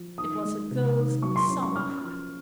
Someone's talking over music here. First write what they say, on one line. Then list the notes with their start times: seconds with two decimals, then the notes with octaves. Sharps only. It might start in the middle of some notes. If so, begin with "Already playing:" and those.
It was a girl's summer hat.
Already playing: F3
0.18 D#3 D#6
0.44 G#3
0.71 C3
0.97 D#3
1.22 F#3 C#6
1.36 C6
1.49 C#4
1.62 C#6
1.76 C#4 F6
2.01 F3